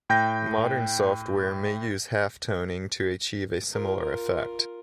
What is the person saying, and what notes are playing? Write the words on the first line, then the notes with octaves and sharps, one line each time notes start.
Modern software may use halftoning to achieve a similar effect.
A2 G5 G6 A#6
F4 A#4